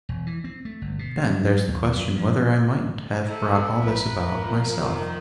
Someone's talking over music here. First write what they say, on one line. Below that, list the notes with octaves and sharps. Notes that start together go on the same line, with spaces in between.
But, again, there's the question whether I mightn't have brought all this about, myself.
E1
E3
C4
A3
G1
B2
F#3
F#3
D#2
F#2
F3
A4 E5 A#5
A#1 G#2 A#4 B4
F3
F1 D#3